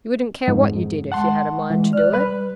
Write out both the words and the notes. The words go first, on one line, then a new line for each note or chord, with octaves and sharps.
'You wouldn't care what you did if you had a mind to do it.'
F2 G#2
G#3 F#5 A5 C6
E3 G#3
D5 F6 F#6
G3 B4 F#6